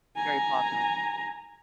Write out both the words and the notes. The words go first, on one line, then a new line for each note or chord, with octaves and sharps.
very popular.
G#5 A#5